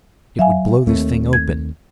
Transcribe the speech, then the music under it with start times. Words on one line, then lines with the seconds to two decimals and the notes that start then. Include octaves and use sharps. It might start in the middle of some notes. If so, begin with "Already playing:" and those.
"It would blow this thing open."
0.39 F#3 E5 F5 G#5
0.87 D#2 A3 C4
1.33 G#6